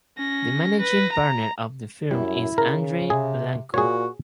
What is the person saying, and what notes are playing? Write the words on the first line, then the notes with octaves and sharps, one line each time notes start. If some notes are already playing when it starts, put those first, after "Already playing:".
The managing partner of the firm is Andrei Iancu.
C#4 A#6
B4 A#6
A#5
F#2 G3 E4
C#3 A#4
C3 G#4
A#2 F#4 G#4 C#5